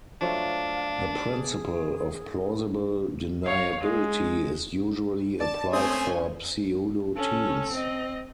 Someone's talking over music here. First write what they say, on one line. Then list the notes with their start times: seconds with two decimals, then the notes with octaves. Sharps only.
The principle of plausible deniability is usually applied for pseudo-teams.
0.21 F3 F#3 A3 D4 F5
1.26 G#4
3.44 C#5 F5
3.80 G#3
5.40 D5 A5
5.73 A3 C4 C#4 G#5 C6 D#6
7.16 C#4 A4
7.71 C4 D#5